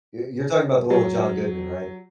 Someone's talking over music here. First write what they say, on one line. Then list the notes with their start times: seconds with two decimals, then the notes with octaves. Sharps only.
y you're talking about the one with John Goodman, right?
0.90 F#3